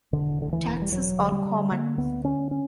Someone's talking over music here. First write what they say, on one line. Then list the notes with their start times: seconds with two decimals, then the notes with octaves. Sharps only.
Taxis are common.
0.13 E1 D3
0.39 D2 D3
0.52 E3
0.66 E1
0.82 G3
0.92 E1 F#3
1.18 D3
1.32 G3
1.45 D3
1.71 D3 A#3
1.98 D2 B3
2.24 D3 C#4
2.51 C#4